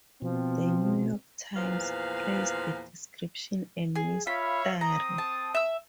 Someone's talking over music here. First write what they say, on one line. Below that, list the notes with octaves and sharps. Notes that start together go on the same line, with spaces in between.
"The New York Times" praised the description and mystery.
B2 F3 C4
E2 A#2 F3 B4 F5
G#4
F4 C#5 E5 F5 B5
C4 A#5 D#6
A5
E5 E6